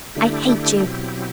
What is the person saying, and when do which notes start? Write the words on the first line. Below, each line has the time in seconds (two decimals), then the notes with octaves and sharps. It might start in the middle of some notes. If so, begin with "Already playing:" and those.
I hate you.
0.15 D3 A3 D4 E4 G4
0.85 B2 F#3 C4